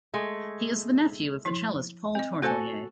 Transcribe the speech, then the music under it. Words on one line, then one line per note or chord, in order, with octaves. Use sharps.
He is the nephew of the cellist Paul Tortelier.
G#3 A3
F3 E4 C6
C4 D#5
A3 F#4 A4 C5 G#5